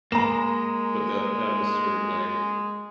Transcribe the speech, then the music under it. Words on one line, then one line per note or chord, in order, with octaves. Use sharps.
but the that was sort of like,
G#3 A#3 A#5 E7